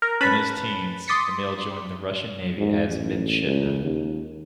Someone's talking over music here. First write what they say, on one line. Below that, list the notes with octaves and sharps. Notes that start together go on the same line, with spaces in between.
In his teens, Emil joined the Russian Navy as a midshipman.
A#4
C#4 B4 A5 B5
C6 D6 D#6 A6 B6 C#7
G#2
A1
C#2
D#2